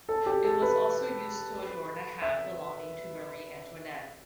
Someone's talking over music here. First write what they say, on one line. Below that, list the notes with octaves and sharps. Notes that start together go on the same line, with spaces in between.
It was also used to adorn a hat belonging to Marie Antoinette.
A4
G4
A4
B4
E5